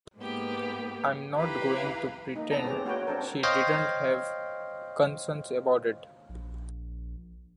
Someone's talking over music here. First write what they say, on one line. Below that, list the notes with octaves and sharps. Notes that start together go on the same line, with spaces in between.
I'm not going to pretend she didn't have concerns about it.
G#2 A#3 B3 G4
E4 G4 B4 F5 A#5
A#3 D#4
B3 D4 A4 A5 A#5
C4 C#4 G4 G#4
A#3 C#4 F#4 B4 C#5 G5
C4 D4 A4 A#4
C5 C#5 D#5 F5 G5
A#1